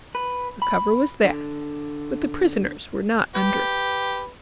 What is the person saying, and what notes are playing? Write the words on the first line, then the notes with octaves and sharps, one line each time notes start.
"The cover was there, but the prisoners were not under it."
B4
B5
D3
G4 B4